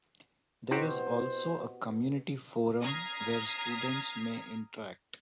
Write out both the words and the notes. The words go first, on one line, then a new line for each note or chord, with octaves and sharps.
There is also a community forum where students may interact.
B2 C4 E4 F#4 G4 C5
A#5 D#6 F6 G#6 B6 C7